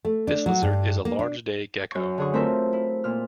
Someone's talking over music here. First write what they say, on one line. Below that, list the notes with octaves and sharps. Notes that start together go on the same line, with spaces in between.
This lizard is a large day gecko.
A3
D4
F#3
G2
A#3
D4
F#2 C#6
D3 G#4 C#6
A3 C4 F4 A#4 E5
E4
A#2 F6